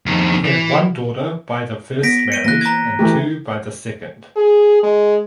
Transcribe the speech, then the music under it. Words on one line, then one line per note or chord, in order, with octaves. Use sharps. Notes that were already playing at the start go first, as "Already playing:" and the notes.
He had one daughter by the first marriage and two by the second.
F2 D#3
E3
B3 A#6 B6 D7
C#7 D#7 G7
E3 A#3 F#6 A#6
A#5 G#6
E3 A3 G4
G#4
G#3